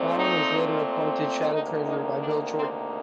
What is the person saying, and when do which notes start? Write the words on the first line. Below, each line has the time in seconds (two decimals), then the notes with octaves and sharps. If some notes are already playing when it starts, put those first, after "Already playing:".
Bowen was later appointed Shadow Treasurer by Bill Shorten.
Already playing: A#2 A3 C4
0.15 D#4
1.52 D2 C3 D#3 A#3 D#4
1.85 D#4
2.20 D4
2.55 C4